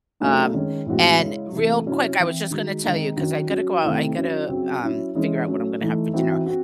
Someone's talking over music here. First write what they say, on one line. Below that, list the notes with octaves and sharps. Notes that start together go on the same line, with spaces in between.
Um, and real quick, I was just gonna tell you, 'cause I gotta go out, I gotta, um, figure out what I'm gonna have for dinner.
C#3 F#3 A3 D#4
D#3 G#3 C#4
A2 E3 G#3 C4 F#4
C#3 G#3 C#4 E4
C3 E3 A3
C3 F#3 C#4 E4
E3 C4 E4
D#3 G#3 D#4 F#4
D#3 G#3 C4 D#4
D#3 F#3 C#4 F#4
F#3 C#4 F#4
C3 D#3 A3 C4 E4
F#3 C#4 E4
C#3 F#3 C4
F#3 C#4 E4
E3 G#3 C#4
F#3 A3 C#4
E3 A3 D#4
E3 C4 D#4 F#4
C4 F#4